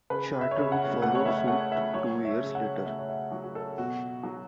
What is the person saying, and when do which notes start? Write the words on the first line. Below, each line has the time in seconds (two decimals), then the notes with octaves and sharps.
Charter would follow suit two years later.
0.10 C#3 B4
0.41 E5
0.51 C#5
0.57 C#3 E5
0.72 F#5
1.02 A3 F#5
1.15 C#5
1.25 E5
1.37 E5
1.48 A3 F#5
1.60 C#5
1.72 E5
1.94 F#3 C#5
2.25 E5
2.40 C#3
2.55 F#5
2.81 C#5
2.86 A3 E5
2.99 C#5
3.09 E5
3.32 F#3
3.44 F#4
3.55 A4
3.78 B2 F#4
4.23 F#3